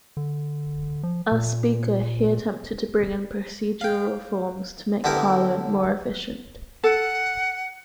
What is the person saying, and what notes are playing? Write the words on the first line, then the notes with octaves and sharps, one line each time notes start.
As Speaker, he attempted to bring in procedural reforms to make Parliament more efficient.
D3
F3
A#2
F5 G5
D3 B3 E4 G4 A#4
A4 F#5